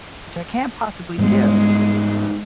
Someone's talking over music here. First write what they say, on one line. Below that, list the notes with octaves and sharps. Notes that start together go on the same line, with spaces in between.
Which I can't possibly do.
G#2 G3 G#3 B3